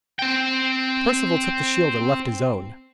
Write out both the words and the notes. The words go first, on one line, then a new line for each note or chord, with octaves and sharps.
Perceval took the shield and left his own.
C4 G5